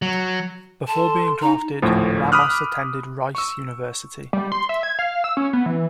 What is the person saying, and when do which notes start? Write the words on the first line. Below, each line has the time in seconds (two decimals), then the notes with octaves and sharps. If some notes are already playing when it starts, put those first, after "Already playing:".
Before being drafted, Ramos attended Rice University.
0.02 F#3
0.88 A4 A5 C6
1.42 D#4 A#5
1.82 G#1 D2 A2 F3
2.32 B5 D6 D#6 F6 F#6
3.35 C#6 E6
4.33 G3
4.52 C6
4.69 E5
4.83 G#6
4.99 F5
5.24 E6
5.37 C#4
5.53 B3
5.66 E3